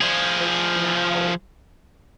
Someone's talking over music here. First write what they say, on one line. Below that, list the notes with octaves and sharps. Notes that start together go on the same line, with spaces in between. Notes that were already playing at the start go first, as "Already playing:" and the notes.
it's now
F3 G#4